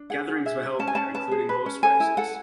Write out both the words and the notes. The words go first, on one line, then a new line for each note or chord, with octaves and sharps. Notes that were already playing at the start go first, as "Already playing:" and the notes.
Gatherings were held there, including horse races.
Already playing: D4
G#4 F#5
G#4
G#4 E5
C#4
C#4 A5
G#5
C#4 A5
B4 A5
G#4
B4
C#4
A4 G#5
E4
A4 F#5